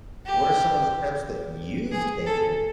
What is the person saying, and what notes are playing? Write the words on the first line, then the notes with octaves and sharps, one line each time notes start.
What are some of the steps that you've taken?
G4
G#4
A4